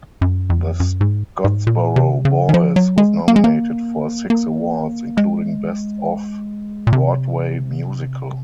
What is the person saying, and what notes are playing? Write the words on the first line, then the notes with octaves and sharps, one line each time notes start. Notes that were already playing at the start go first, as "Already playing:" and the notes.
"The Scottsboro Boys" was nominated for six awards, including Best Off-Broadway musical.
F#2
F2
F#2
G#2
G#2
A#2
C3
C#3
D#3
F3
F#3
G#3
A#3
G#3
A#3
A#3
G#3
A#2
C3